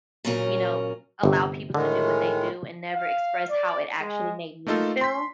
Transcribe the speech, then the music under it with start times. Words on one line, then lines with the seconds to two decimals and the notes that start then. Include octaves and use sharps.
you know, allow people to do what they do and never express how it actually made me feel.
0.25 A#2 C#3 F#3 C#4 A#4
1.23 G1 C3
1.74 A2 D3 D#3 G#3
2.94 F5
3.49 D5
4.00 G#3
4.67 A3 A#3 D#4 F4 A4
5.01 C6 B6